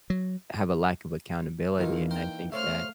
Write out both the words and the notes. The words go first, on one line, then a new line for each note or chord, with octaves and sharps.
have a lack of accountability, and I think that
F#3
A#1 D#3 E3 A#3 D#4 F4
A#4 C5 G5
A3 C5 C#5 E5 F5 A5 F6